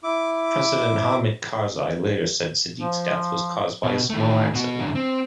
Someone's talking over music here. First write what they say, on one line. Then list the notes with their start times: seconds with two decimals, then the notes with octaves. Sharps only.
President Hamid Karzai later said Sadiq's death was caused by a small accident.
0.03 E4 D6
2.80 F3
3.83 B2
4.10 D#3 A3
4.54 B2 F#4
4.80 F#2 D3
4.95 C4